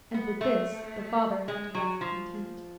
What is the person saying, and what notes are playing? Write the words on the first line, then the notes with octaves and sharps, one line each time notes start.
And with this the father had to rest content.
B3
A3
G#3
F#3
F3